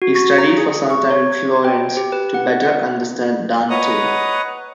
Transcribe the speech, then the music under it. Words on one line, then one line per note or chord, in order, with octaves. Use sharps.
He studied for some time in Florence to better understand Dante.
F#4
C#6
A#5
G#4
C#6
C#5
G#6
G5
G4
B4
F#5
F#5
B4 C#5 D#5 F#5 A#5 D#6